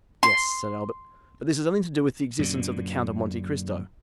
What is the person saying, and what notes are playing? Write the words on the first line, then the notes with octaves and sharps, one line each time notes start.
"Yes," said Albert, "but this has nothing to do with the existence of the Count of Monte Cristo."
C6
F#2 A#2 D3